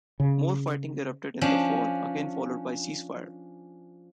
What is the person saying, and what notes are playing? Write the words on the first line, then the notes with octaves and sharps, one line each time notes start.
More fighting erupted in the fall, again followed by a ceasefire.
C#3
F3 C#4 D4